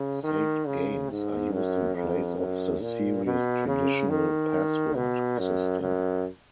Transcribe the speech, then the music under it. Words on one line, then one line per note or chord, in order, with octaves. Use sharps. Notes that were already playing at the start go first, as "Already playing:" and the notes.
Saved games are used in place of the series' traditional password system.
Already playing: C#3
D#3
C#3
G#2
F#2
F2
F#2
A#2
B2
C#3
D#3
B2
F#2
F#2